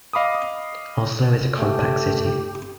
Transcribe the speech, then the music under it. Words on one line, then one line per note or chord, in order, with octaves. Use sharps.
Oslo is a compact city.
D#5 F5 B5 D6 D#6
A3 G4